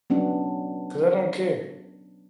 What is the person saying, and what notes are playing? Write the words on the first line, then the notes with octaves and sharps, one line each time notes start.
'Cause I don't care."
F#3 B3 C#4 D4